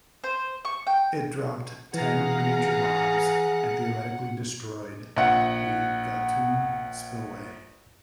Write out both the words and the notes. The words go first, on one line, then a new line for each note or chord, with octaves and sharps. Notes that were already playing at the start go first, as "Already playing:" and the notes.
It dropped ten miniature bombs and theoretically "destroyed" the Gatun spillway.
C5
C#6
G5
E3 G#4 B4 F5 F#5 A#5
A#1 F#5